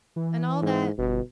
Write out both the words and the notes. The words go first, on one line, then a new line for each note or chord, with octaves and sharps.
And all that.
E3
G#2
G1 B2